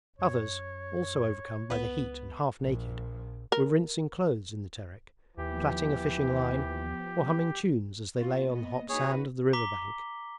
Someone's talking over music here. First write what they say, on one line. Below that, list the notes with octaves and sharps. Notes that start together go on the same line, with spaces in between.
Others, also overcome by the heat and half naked, were rinsing clothes in the Terek, plaiting a fishing line, or humming tunes as they lay on the hot sand of the river bank.
F#2 C#5
C#2 B3 B4
A#1 F3
A#4
D#2 E3 F3 B3 G4
B3 F4 F#4
A#2 B3 D#5
D#4 F#4 G#4 B4 C#5
A#5 D6 B6 G7